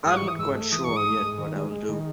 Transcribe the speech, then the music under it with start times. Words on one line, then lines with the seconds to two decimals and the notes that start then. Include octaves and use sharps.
I'm not quite sure yet what I'll do.
0.06 G#2 D#6
0.17 C#6
0.22 E3
0.28 D#6
0.39 G#2 E6
0.55 A3
0.72 E3 D#6
0.84 G#2 C#6
0.97 D#6
1.06 A3
1.22 G#2
1.38 D#3
1.56 G#3
1.72 G#3
1.89 D#3